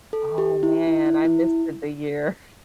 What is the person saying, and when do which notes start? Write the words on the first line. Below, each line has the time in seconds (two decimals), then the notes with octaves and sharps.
Oh man, I missed it the year.
0.13 A4
0.38 G4
0.63 E4
0.87 E4
1.06 E4
1.25 E4